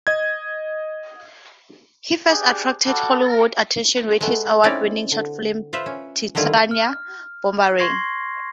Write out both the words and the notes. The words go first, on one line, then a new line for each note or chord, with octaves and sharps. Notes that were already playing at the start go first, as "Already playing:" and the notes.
He first attracted Hollywood's attention with his award-winning short film "Titsiana Booberini".
D#5 G#6
D4 G4 G#4
G3 F#4 A4 D6
G#3 A3 B3
C4 C#4 D#4 E4 D5 F5
D3
F4 B4 C5 E5
C#4
D3 D#3 G3 E4 F4
F6
C6 C#6 G#6 A#6 C7